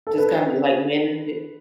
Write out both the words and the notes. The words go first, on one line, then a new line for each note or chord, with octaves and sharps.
just kinda, like, manage it.
A4
B4